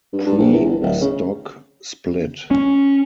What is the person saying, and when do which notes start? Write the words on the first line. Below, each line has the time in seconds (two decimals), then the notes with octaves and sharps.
Pre stock split.
0.13 G2
0.26 G2
0.38 A#1
0.52 E2
0.65 G1
0.81 D1
1.01 C#3
2.51 C#4